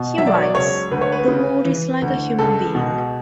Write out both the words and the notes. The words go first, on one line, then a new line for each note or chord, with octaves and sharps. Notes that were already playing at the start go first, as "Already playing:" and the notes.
He writes, The world is like a human being.
Already playing: B2
F#3 E5
D5
C#5
D5
C#2 C#5
D2 B4
C#5
B4
C#3
E3
D2
C#2 A4
B2 F#4